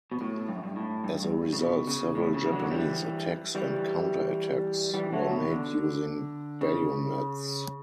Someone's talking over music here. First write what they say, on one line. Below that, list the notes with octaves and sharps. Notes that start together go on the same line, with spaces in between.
As a result, several Japanese attacks and counterattacks were made using bayonets.
B2
A2
G2
F#2
G2
A2
G2
G2
C#3
B2
C#3
A2
C#3
E3
D3 F#3
E3 G3
E3 G3
E3 G3
F#3 A3
B2
D3
C#3